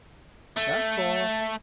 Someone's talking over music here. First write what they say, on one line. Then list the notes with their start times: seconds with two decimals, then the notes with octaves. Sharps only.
That's all.'
0.57 A3